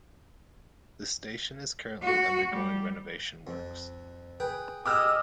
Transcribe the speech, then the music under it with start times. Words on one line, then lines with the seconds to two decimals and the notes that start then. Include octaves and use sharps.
The station is currently undergoing renovation works.
2.02 F#4
2.52 G3
3.47 F2
4.40 G#4 B4 G5
4.86 G4 G#4 D#5 G#5 D6 E6 F6